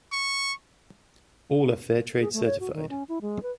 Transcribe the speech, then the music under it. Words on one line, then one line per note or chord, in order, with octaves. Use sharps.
All are Fairtrade Certified.
C#6
G#4
A3
C#5
F#4
D#3
C#4
E4
G#3
B4